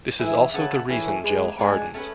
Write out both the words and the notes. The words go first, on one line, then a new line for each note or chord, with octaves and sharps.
This is also the reason gel hardens.
E3 E4 G#4 B4 E5
C#3 E4 B4 F#5 A5
E3 A3 C#4 G#4
G#3 G#4 B4 D5
G#3 B3 D4 G#4 D5
A3 C#4 G#4 B4